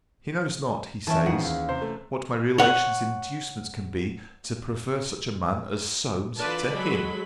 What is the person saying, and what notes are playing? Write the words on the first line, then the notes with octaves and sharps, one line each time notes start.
'He knows not, he says, what my relations' inducements can be to prefer such a man as Solmes to him.
E3 C#4 E5 G5 A5
G#1 F2 D#3 G#4 F#5
D#2
C3 C5
A3
C#5 F#5
D3 E3 F4 B4 D5 A5
F#3 G#3 G#4 A4 B5